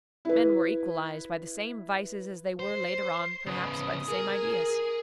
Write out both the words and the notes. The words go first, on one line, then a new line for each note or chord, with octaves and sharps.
Men were equalized by the same vices as they were later on, perhaps, by the same ideas.
E4 B4
C5 C7
C#3 B3 D#6
G#4 A#4